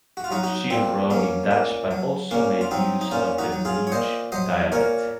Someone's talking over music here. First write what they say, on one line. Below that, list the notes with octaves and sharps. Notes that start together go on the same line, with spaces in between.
She wrote in Dutch but also made use of the Bruges dialect.
F#4
F4
F#3 D#4 F#4
D#4 F#4
A#2 C4
F#3 A#3 C#4
A#2
F#3
A#2 A#3 C#4
F4
F#3 C4 D#4
D#4
A#2 C#4 F4
D#4 F#4
F#3
F4 G#4
C#5
A#2 C5 D#5
F#3 C5 D#5
A#2 A#4 C#5